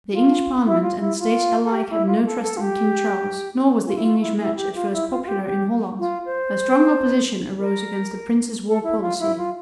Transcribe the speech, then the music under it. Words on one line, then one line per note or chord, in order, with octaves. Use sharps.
The English Parliament and the States alike had no trust in King Charles, nor was the English match at first popular in Holland. A strong opposition arose against the prince's war policy.
F4
E4
F4
E4
F4
A4
G4
E4
F4
A4
A4
F4
G4
F4
E4
F4
E4
E4
G4
F4
E4
F4
F4
G4
G4
F4
C5
A#4
A4
E4
F4
E4
F4